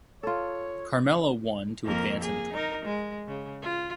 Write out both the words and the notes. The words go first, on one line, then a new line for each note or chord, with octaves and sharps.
Carmella won to advance in the tournament.
F4 A4 C#5
F2 A#3 A#4
A#3 G#4
D#4 A#4
G#3
C#3
F4